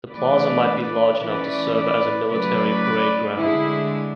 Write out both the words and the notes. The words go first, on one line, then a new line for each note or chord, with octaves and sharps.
The plaza might be large enough to serve as a military parade ground.
E3 A3 D4 B4 D5
E3 A3 C#4 B4 D5
B4 D5
C#3 F#3 A3 B4 D5
D3 G#3 D4 E4 G#4